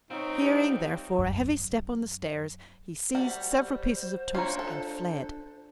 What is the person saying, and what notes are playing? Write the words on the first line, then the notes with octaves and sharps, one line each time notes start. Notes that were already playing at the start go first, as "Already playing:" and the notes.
Hearing, therefore, a heavy step on the stairs, he seized several pieces of toast and fled.
C4 D#4 F4 C#5
G3
F#2
G3 F#4 C5
C#4 D4 F4 A#5
A4